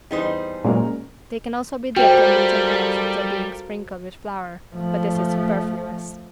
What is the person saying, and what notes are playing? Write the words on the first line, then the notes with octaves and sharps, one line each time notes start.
They can also be dipped in beaten eggs after being sprinkled with flour, but this is superfluous.
E2 G3 D#4 C5
A#2 F#3 G#3 C#4 A#4
G3 F4 F#4 A4 A#4 C5 G5
F3 A3